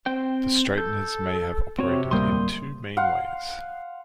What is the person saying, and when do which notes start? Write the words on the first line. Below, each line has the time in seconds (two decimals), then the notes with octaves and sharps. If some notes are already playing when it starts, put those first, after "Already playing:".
The straighteners may have operated in two main ways.
0.06 C4 C5 G5
0.78 A4 G6
1.79 C3 C4 F#4 C#5
2.11 D1 G3 A#3 C6 D#6 G6
2.97 F5 F#5 C6